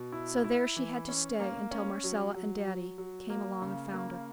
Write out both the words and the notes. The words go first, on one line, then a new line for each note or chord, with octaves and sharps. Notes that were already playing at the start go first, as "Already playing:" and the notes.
So there she had to stay until Marcella and Daddy came along and found her.
Already playing: B2
E4
E4
E3
C#4
A#3
C#4
F#3
F#3
F#3
F#3
A#3
C#3
A#3